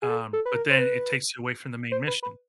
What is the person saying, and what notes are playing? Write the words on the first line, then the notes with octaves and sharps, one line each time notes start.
Um, but then it takes you away from the main mission.
G#4
A4
A4
B4
A#4
C5
B4
C5
B4
B4